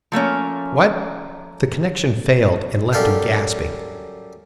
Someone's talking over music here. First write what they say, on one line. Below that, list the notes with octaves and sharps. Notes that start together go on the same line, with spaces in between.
What!!--' The connection failed and left him gasping.
F3 A3 A#3 C#4
F#2 G3 A4 F5 G5